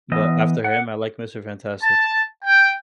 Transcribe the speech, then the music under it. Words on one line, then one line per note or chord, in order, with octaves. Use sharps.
But after him, I like Mister Fantastic.
E3 B3 D#5
F#5
A5
G5